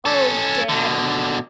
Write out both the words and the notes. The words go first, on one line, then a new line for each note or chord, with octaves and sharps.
Oh, daddy!
C#4 A4
B2 D3